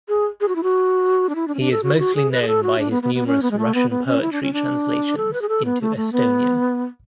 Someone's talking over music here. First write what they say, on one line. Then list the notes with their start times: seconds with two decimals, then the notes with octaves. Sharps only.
He is mostly known by his numerous Russian poetry translations into Estonian.
0.09 G#4
0.41 G#4
0.48 F#4
0.56 E4
0.63 F#4
1.29 D4
1.35 E4
1.48 D4
1.55 C#4
1.60 D4
1.72 A4
1.83 F#4
1.95 E4
1.99 F#4
2.15 G#4
2.31 B4
2.42 G#4
2.47 A4
2.63 F#4
2.79 D4
2.91 B3
3.03 B3
3.15 B3
3.27 C#4
3.42 B3
3.51 G#3
3.59 A3
3.74 B3
3.90 B3
4.06 C#4
4.22 E4
4.32 D4
4.42 C#4
4.53 D4
5.17 A4
5.33 B4
5.42 G#4
5.49 A4
5.65 B3
5.81 A3
5.97 A3
6.13 B3